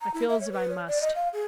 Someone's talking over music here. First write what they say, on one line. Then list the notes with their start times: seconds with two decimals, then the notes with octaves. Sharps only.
I feel as if I must.
0.01 A#5
0.14 E4
0.29 E5
0.41 C#5
0.52 B4
0.70 C#5
0.88 D5
1.01 D#5
1.15 F5
1.33 G#4